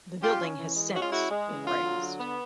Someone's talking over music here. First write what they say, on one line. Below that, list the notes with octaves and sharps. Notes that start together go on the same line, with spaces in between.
The building has since been razed.
C#4 F4 G4
C#4
E3
G#3
C#4 F#4
F4
G#3 E4 F#4
G#3
E3
D3 F4
F#3
D3
B3